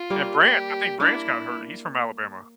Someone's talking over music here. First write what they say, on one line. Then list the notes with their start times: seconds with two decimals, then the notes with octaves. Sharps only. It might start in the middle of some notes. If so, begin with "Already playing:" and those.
And Bran I think Branch got hurt. He's from Alabama.
Already playing: F4
0.10 G3 A#3
0.41 G4
1.00 A#3 D4 E4